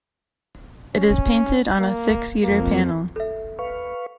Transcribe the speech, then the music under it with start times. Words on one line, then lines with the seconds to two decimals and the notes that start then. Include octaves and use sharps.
It is painted on a thick cedar panel.
0.95 C#4
1.79 A#3
2.44 F2 A#3
3.16 A4 E5
3.59 B4 F5 C#6